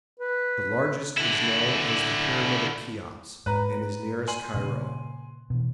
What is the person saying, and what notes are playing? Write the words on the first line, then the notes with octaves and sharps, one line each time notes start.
The largest is known as the Pyramid of Cheops and is nearest Cairo.
B4
D3 E4
G#2 B4 A#5
G#5 C6 F#7
A#2 C#3
B2 E3